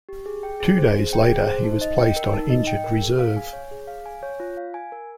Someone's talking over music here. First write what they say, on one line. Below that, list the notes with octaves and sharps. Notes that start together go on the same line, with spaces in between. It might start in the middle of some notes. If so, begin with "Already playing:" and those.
Two days later, he was placed on injured reserve.
G4
G#4
G5
G#4
C5
G#4
G5
G#4
C5
D#4
D#5
G5
A#4
D#4
D#5
G5
A#4
G#4
F5
G#5
C#5
G#4
F5
G#5
C#5
F4
F5
G#5
A#4